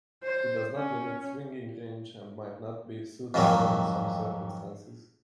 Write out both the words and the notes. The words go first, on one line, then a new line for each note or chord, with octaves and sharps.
It does not limit swinging range, and might not be suitable in some circumstances.
C5
C#4
F2 G#2 D#3 F#3 G3